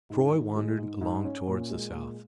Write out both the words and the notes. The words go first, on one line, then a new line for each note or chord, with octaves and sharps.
Troy wandered along towards the south.
G#2
D#3
G#3
G#2
G#2
C#4
A#2
G#3
A#2